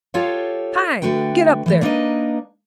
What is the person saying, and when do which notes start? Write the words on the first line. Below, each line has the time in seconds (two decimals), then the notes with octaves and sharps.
Hi! Get up there!
0.14 F4 G4 A4 C#5 F5
1.02 D3 A3 F#4 B4 G5
1.66 E3 G#3 A3
1.81 A#3 B3 D4 D#4 B4 D#5